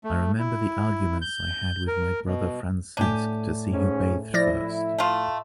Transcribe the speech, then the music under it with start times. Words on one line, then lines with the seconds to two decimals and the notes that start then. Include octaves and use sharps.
I remember the arguments I had with my brother Francesc to see who bathed first.
0.04 A3
0.38 E4
1.22 G6
1.88 A#4
2.26 B2
2.97 A2 D4 G4 G#5 D#7
3.72 G#2 C#4
4.34 F3 E4 D5 A#6
4.98 A3 F4